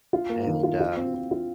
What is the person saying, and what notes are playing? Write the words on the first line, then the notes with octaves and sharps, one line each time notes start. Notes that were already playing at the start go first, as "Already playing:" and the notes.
and, uh,
F4
A#3
D#3
F4
F4
C4
C4
F4